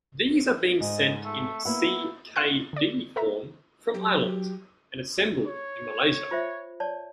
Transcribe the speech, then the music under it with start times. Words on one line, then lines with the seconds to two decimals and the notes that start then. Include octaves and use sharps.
These are being sent in ckd form from Ireland and assembled in Malaysia.
0.81 G#2 D#5
1.25 A3
1.65 A#3 B3 E4 F#5
2.36 F5 F#5 C6 C#6 F6 F#6
2.73 D3 D5
3.16 A4 B4 E5 A#5
3.94 F#3 G4
5.47 C#5
6.31 F4 C5 E5
6.80 C#5 D5 A5